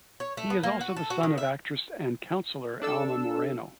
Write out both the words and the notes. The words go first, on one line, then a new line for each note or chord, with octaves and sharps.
He is also the son of actress and councilor Alma Moreno.
C#5
A3
B3
A#3
F#4
A4
F#4
D#3
E5
D4 A4 E6